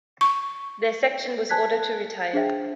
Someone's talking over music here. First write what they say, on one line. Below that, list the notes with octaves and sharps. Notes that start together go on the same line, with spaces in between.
Their section was ordered to retire.
C#6
G#5 A5 F#6 G#6 B6
A4
D4 G#4 C5 E5 G5